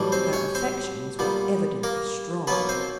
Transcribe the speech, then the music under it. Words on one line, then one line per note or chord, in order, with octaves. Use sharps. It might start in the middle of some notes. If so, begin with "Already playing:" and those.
Her affections were evidently strong.
Already playing: B1 A2 E3 G3
C4 C5
C#4 C#5
C4 C5
A#2 G3 B3
A#3 A#4
B1 B2 F#3 A#3 B3 B4
C4 C5